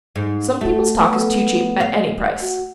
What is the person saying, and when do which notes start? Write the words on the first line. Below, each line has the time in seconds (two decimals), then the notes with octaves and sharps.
Some people's talk is too cheap at any price.
0.16 G#2
0.61 A3 F#4
1.01 B3
1.81 F5
2.41 F#4